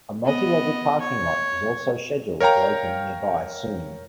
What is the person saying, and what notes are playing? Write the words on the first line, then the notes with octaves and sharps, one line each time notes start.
A multi-level parking lot is also scheduled to open nearby soon.
B3 D#5
C#5
A#4 C#5 F5 G5 A#5